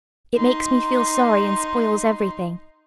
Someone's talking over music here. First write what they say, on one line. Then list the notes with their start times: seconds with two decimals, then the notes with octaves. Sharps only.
It makes me feel sorry and spoils everything.
0.36 D#4 C6